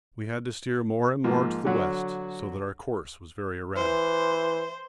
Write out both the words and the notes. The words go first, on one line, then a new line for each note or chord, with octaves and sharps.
We had to steer more and more to the west, so that our course was very erratic.
G#2 F3 A#3
D3 F#3 F#4
E3 C5